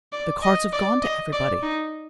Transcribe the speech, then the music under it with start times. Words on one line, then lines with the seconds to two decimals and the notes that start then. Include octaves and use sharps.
The cards have gone to everybody.
0.13 D5
0.43 D#5
0.73 D5
1.03 D#5
1.33 D5
1.63 D#4